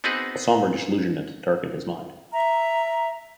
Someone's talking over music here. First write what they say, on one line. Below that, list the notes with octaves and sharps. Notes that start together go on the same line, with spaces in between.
A sombre disillusionment darkened his mind.
B3 C4 D#4 F#4 G#4 B4
E5 A#5